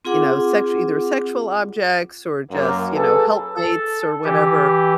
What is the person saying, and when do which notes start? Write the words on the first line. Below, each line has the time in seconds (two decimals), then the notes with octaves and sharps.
you know, sexu either sexual objects, or just, you know, helpmates, or whatever,
0.05 C4 F4 G#4 F#5 D6
2.51 F#2 A#3
2.94 G#4 A4 B4
3.56 A4
4.24 E3 G4